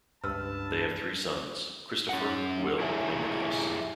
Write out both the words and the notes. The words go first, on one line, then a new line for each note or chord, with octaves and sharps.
They have three sons: Christopher, Will, and Nicholas.
C#2 G2 B4 A5 E6 F6
C#4 F#5
E4 G4 G#4 C#5 E5